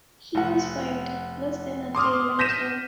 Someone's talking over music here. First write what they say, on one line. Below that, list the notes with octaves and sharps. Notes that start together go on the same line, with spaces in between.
He was waived less than a day later.
F1 F#5
C6 D6 D#6 F6
G6 A#6 B6 D#7 E7